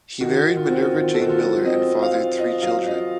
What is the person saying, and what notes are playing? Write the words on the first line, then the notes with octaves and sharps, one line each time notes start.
He married Minerva Jane Miller and fathered three children.
D#3 F#4
D#3
F4
C4 F#4
F4
D#3 F4
A4
D#3 F#4
F4
F#3
C4 D#5
F4
F5
F4
F4 D#5
F#3 F5
F4 D#5